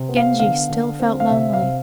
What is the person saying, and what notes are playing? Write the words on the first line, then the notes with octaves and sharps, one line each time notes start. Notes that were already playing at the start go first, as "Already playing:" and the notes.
Genji still felt lonely.
Already playing: C3
B3
F5
D3 F5
D3
C4
F5
C3 E5
F5
C3